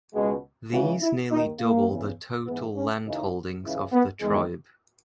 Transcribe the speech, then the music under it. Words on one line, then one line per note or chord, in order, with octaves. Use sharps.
These nearly double the total landholdings of the tribe.
C#2 B2 G#3
C#2 C#3 E3 F#4
E4
D#2 D#3 D#4
A#3
E2 C#3 E3
G#2 E3 B3
C#4
D#2 C#3 E3 D#4
C#2 C#3 E3 E4
B3
E2 D#3 G#3